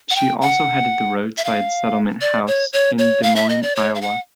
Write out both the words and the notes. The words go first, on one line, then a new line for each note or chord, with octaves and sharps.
She also headed the Roadside Settlement House, in Des Moines, Iowa.
F#5
G5
F#5
E5
F5
D5
C#5
C#5
C#5
F5
E5
D#5
D5
C#5
F5
F#5